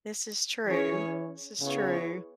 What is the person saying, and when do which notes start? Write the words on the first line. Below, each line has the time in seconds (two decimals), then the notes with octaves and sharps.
This is true. This is true.
0.66 E3 C#4 G#4 C#5
1.61 C#3 B3 E4 G#4 C#5